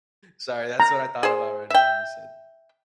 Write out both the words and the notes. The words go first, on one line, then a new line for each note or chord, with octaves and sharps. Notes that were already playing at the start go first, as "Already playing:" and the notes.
Sorry, that's what I thought about right now when you said
A#5
G#4 C5
E5 G5